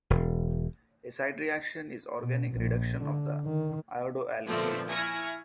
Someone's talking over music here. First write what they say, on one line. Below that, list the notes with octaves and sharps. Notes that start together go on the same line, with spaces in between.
A side-reaction is organic reduction of the iodoalkane.
E1
B2
A#1
D3
D#3
A#2 D3 F3 A3 B3 C4
E4 G#5 C#6 F6 A#6